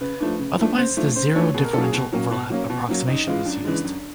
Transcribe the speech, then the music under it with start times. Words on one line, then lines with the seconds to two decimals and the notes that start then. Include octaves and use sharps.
Otherwise the zero-differential overlap approximation is used.
0.01 C#3 B4
0.20 F3 A3 D4
0.39 C#3
0.58 F3 A3 D4
0.78 C#3 C5
0.97 F3 A3 D4
1.16 C#3 C5
1.35 F3 A3 D4 C#5
1.54 B2 G#4
1.64 A#4
1.73 F#3 A#3 C#4 A4
1.83 G#4
1.93 B2
2.12 F#3 A#3 C#4
2.31 B2
2.50 F#3 A#3 C#4
2.70 B2
2.88 F#3 A#3 C#4
3.08 F#2 D#4
3.27 C#3 E3 G#3 F4
3.45 F#2 D4
3.65 C#3 E3 G#3
3.84 F#2